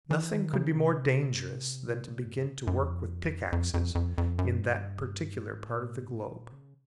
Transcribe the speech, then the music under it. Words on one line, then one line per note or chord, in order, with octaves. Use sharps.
Nothing could be more dangerous than to begin to work with pickaxes in that particular part of the globe.
E3
D#3
C#3
C3
G2
F#2
E2
F2
F2
F2
F2
F2
F#2
G2
G#2
A#2
A2
G2
G#2
A#2
C#3